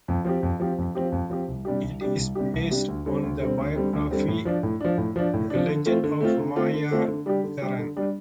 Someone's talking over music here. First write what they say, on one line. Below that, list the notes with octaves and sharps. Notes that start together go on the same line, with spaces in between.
It is based on the biography "The Legend of Maya Deren".
F2
F3 C4 G4
F2
F3 C4 G4
F2
F3 C4 G4
F2
F3 C4 G4
C2
C3 G3 D4 G4
C2
C3 G3 D4 G4
C2
C3 G3 D4 G4
C2
C3 G3 D4 G4
D2
D3 G3 C4
D2
D3 G3 C4
D2
D3 G3 C4
D2
D3 G3 C4
A2
F3 D4
A2
F3 D4
A2
F3 D4
A2
F3 D4
D3
A3 C4 F4
D3
A3 C4 F4
D3
A3 C4 F4
D3
A3 C4 F4
D3
G3 D4 G4
D3
G3 D4 G4
D3
G3 D4 G4